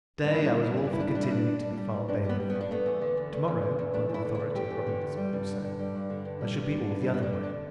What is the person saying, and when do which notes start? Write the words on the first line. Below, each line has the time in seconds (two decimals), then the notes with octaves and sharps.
To-day I was all for continuing to be farm-bailiff; to-morrow, on the authority of ROBINSON CRUSOE, I should be all the other way.
0.23 G2 D4
0.31 E4
0.39 G3 D4
0.47 E4
0.54 G3 D4
0.62 E4
0.70 G2 D4
0.77 E4
0.85 G2 D4
0.93 E4
1.00 G3 D4
1.08 E4
1.15 G3 D4
1.23 E4
1.31 G2 D4
1.47 G2
1.62 G3
1.77 G3
1.94 G2
2.08 G2 D4
2.24 G3
2.29 B3
2.40 G3
2.50 B3
2.55 G2
2.61 D4
2.71 A3 B3
2.86 E2
3.02 D3
3.17 E2
3.33 A3
3.48 E2
3.63 D3
3.79 E2
3.94 A3 D4
4.09 E2 E4
4.25 D3
4.35 E4
4.40 E2
4.55 A3 G4
4.70 E2
4.87 D3
5.01 E2
5.17 G3
5.33 G2
5.48 D3
5.64 G2
5.79 G3
5.95 G2
6.10 D3
6.25 G2
6.41 G3
6.56 G2
6.71 D3
6.87 G2
7.02 G3 E4
7.14 B3
7.18 G2
7.23 D4
7.33 D3
7.44 D4